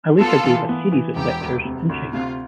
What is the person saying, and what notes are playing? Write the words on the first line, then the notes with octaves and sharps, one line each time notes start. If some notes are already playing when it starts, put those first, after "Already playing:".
I later gave a series of lectures in China.
B3 F4 A4
E3
B3
E3
E1 G4
D2
C3
D2
C3 F4